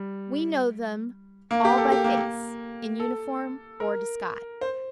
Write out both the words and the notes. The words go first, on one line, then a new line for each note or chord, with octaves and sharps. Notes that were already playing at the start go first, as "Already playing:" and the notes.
We know them all by face, in uniform or disguise.
Already playing: G3
A#3
G4
A4
G4
A#3
A#3
A4
A#4
C5